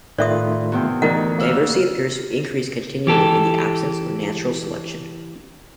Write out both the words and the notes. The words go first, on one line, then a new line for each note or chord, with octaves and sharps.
Diversity appears to increase continually in the absence of natural selection.
A2 D#3 A3 F4 B4 D5 E5 D#6
E2 C3 G5
D2 E3 D#4 E4 A#4 F#5
A#3 E6 F6
E3 G4 A4